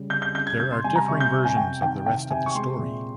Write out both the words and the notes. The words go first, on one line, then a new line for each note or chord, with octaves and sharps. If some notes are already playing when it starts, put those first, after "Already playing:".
There are differing versions of the rest of the story.
Already playing: C#3 G3
C#3 G6
G6
C#3 G6
G#6
C3 G6
C6
G3 G#5
A#5
C3 C#6
G6
C3
G#5
C3 G5
D#3 G5
C3 G5
C3 G#5
C#6
G#3 C6
A#2